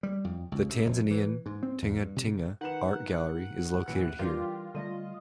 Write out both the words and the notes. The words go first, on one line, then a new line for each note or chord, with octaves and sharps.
The Tanzanian Tingatinga Art Gallery is located here.
G3
F2
C#2
C3
F1
E3
G#2
C4
E2
G2
C3
D#3 B4 F#5 E7
A#1 A2 C3 E3 C#7
E3 G3 D4 F4 G4 A#4
D3 G3 A3 D#5